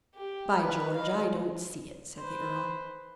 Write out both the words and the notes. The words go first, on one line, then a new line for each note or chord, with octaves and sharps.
"By George, I don't see it," said the earl.
G4
B4
D#4 F5
B4 C5